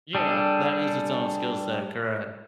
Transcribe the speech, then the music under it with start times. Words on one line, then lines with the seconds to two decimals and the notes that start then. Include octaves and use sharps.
Yeah. That is its own skill set, correct.
0.15 G3 D4 G#4 A4